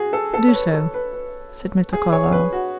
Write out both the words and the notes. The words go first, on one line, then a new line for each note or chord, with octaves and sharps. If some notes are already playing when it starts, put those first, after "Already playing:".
"Do so," said Mr. Carlyle.
Already playing: F#4 G#4
A4
A4
C#5
B4
A4
B4
B4
G#4
C#5
B4
F#4